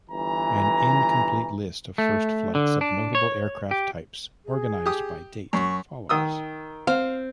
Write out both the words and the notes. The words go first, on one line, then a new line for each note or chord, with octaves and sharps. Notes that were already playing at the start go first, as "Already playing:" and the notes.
An incomplete list of first flights of notable aircraft types, organized by date, follows.
G1 E3 G#5 A#5
A3
D3
D4
C#5
G4
G#4
G4 D#6
F#2 C#6
D#3 D#6 E6
C4 F5